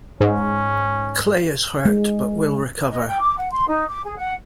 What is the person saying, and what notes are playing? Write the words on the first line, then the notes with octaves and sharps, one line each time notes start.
Clay is hurt, but will recover.
G#2 C#4
G#3
D#5
G5
D6
F#5
C6
D#4
D6
G#4
F#5